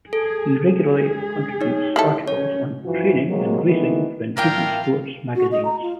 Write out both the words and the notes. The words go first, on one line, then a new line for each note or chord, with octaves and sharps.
He regularly contributes articles on training and racing for endurance sports magazines.
G#4 A4
G#3 G#4
D#4 C#5
G#3 E4 G4 A4
C#4 C#5
G2 E3 F3 F4 F#4
C3 F#3 G#3 A#3
C3 D#3 E3 A3 B3
A2 A#3 F4 A#4 G5
F#4
D#5
A#5
F4